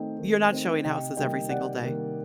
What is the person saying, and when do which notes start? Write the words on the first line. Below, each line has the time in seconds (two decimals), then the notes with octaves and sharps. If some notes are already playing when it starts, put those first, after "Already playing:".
You're not showing houses every single day.
Already playing: D#3 A3 C4 D#4 D#5 G5
0.19 D#3
0.51 A3 C4 D#4
0.84 C3 D#5 G5
1.17 D#3 G3 A#3 D#5 G5
1.50 C3 D5 F#5
1.82 D#3 G3 A#3